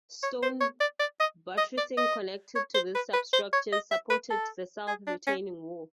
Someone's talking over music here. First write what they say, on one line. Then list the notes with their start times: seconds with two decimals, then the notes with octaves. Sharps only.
Stone buttressing, connected to this substructure, supported the south retaining wall.
0.23 C#5
0.42 C5
0.61 C#5
0.80 D5
0.99 D5
1.20 D#5
1.58 D#5
1.77 D5
1.97 D#5
2.56 C#5
2.74 C5
2.95 B4
3.13 B4
3.33 C5
3.53 C#5
3.72 D#5
3.91 E5
4.10 B4
4.30 A4
4.87 G#4
5.07 D4
5.27 C#4